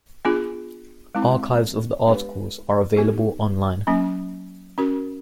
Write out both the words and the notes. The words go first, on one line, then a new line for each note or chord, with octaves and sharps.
Archives of the articles are available online.
B3 D4 F4 G#4
G#3 C4 E4
G#3 B3 D4 G4 B4
B3 D#4 G4
F#3 A#3 C#4
C#4 F#4 A#4